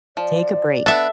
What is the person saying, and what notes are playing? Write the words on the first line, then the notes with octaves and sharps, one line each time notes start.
take a break
F3 D5
B3 D4 A4 E5